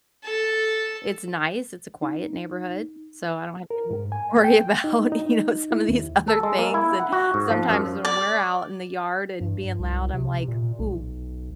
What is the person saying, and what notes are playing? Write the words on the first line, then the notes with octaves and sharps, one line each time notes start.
it's nice, it's a quiet neighborhood, so I don't have to w worry about, you know, some of these other things, and sometimes when we're out in the yard and being loud, I'm like, "Ooh,
A4 A5
D#4
A#4
G#2
G#5
G5
D#4
D#4
E4
D#2
A4
G#3
A#3
E4
F#5
F#4
G#2
F3
F#2
D5
G2
C2
C3
A#2
B1